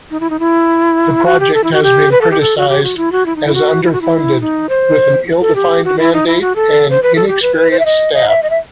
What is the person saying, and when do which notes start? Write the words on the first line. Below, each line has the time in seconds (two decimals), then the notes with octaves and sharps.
The project has been criticized as underfunded, with an ill-defined mandate and inexperienced staff.
0.11 D#4
0.20 E4
0.30 D#4
0.39 E4
1.26 F#4
1.40 G4
1.54 A4
1.64 E4
1.73 F#4
1.83 G4
2.11 B4
2.21 A4
2.31 G4
2.40 A4
2.57 F#4
2.69 G4
2.83 F#4
2.97 E4
3.12 F#4
3.26 E4
3.36 D#4
3.46 E4
3.55 F#4
3.84 E4
3.93 F#4
4.01 E4
4.41 D#4
4.69 C5
5.41 A4
5.55 G4
5.84 F#4
5.99 E4
6.13 D#4
6.27 E4
6.42 F#4
6.56 A4
6.90 C5
7.03 B4
7.16 A4
7.28 G4
7.42 B4
7.56 B4
7.71 C5
7.79 E5
7.85 D#5
8.14 D#5
8.28 E5
8.43 D#5
8.50 E5